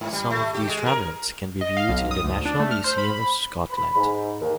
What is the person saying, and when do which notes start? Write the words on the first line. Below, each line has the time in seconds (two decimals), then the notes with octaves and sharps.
Some of these remnants can be viewed in the National Museum of Scotland.
0.01 G#2
0.13 G3
0.30 A3
0.54 G4
0.68 G#3
0.86 A#4
1.61 D#5
1.77 F5
1.89 B1
2.11 D#6
2.24 D2
2.45 D4
2.60 A3
2.71 F6
2.84 C5
2.98 B5
3.14 B5
3.70 B5
3.96 G#2
4.40 D#2